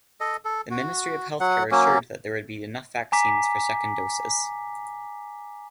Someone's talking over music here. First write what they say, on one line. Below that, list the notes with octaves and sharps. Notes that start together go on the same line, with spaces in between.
The Ministry of Healthcare assured that there would be enough vaccines for second doses.
A4 D#5
A4
F#4
F#3 F#5
F#3 A#3 C#4
G#5 A#5 D6 B6